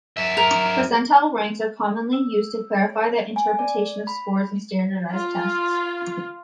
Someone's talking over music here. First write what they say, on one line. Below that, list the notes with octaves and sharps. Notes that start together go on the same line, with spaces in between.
Percentile ranks are commonly used to clarify the interpretation of scores on standardized tests.
F#3 E5
A#4
E6
C#5
G#5
D5
B5
F4